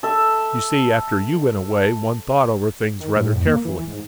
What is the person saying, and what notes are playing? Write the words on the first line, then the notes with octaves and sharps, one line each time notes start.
You see, after you went away one thought over things rather carefully.
A4 E5
D#3
A2
F2
A#3
E3
G#2